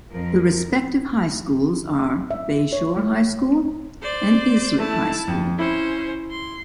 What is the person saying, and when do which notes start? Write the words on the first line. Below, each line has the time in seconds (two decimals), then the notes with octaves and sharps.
The respective high schools are Bay Shore High School and Islip High School.
0.11 F2 F3 A#4
2.31 E5
2.73 C#5
2.97 A3
4.02 C5 D5
4.80 A3 E4 A5
5.28 F2
5.59 C#4 E4 C5
6.31 C6